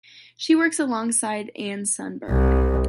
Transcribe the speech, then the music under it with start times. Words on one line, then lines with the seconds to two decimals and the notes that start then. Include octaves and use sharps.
She works alongside Anne Sundberg.
2.29 C2